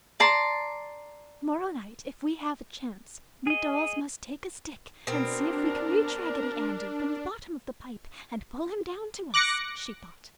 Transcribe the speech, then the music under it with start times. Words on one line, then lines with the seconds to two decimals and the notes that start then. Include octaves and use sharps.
"Tomorrow night if we have a chance, we dolls must take a stick and see if we can reach Raggedy Andy from the bottom of the pipe and pull him down to us!" she thought.
0.20 D5 A5 A#5 C6
3.47 G#4 D#5
5.07 B2 C4 D4 A#4
9.34 D6 F#6 A#6 C#7